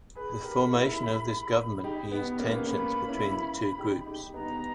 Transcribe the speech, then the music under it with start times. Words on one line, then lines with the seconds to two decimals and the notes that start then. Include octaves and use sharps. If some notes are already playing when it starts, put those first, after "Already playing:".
The formation of this government eased tensions between the two groups.
0.15 G#4 B4 B5
0.44 G4 A#4
0.71 E4 G#4
1.84 D#4 G4
2.12 B3
2.39 A#3 C#4
2.67 A#3 C#4 B5
3.08 C#4 E4
3.79 D#4 G4
4.06 D#4 G4
4.34 B3 D#4 A#5